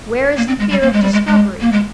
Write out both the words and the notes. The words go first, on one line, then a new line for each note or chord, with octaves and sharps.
Where is the fear of discovery?
A#3
C4
G#3
G3
A#3
G#3
G3
G#3
G#3
A#3
G#3